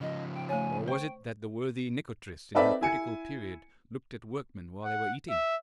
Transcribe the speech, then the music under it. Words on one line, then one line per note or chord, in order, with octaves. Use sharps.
Or was it that the worthy Nikotris in her critical period looked at workmen while they were eating?
C#3 F3 D#5
G5
A3 C#5 G#5
C5 G5 C#6
C4 D#4 A4 B4 D5 E5
E4 G#5 C#7
F#5
E5